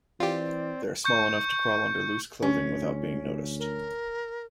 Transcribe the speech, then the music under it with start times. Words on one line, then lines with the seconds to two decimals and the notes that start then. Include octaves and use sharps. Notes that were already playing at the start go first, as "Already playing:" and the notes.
They are small enough to crawl under loose clothing without being noticed.
0.20 E3 C4 F4 G4 D5
1.04 C#6 G6 C#7
2.42 D2 C#4
3.59 A#4